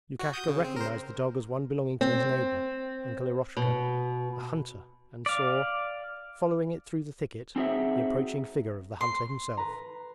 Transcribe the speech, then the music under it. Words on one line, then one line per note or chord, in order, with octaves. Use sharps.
Lukashka recognized the dog as one belonging to his neighbour, Uncle Eroshka, a hunter, and saw, following it through the thicket, the approaching figure of the hunter himself.
F#4
D#6 G6
C#3
C4
A#4 C5
C4
B2
D5 F5
C4 D#4 F#4 G#4 C5 E5
C6
B4 A#5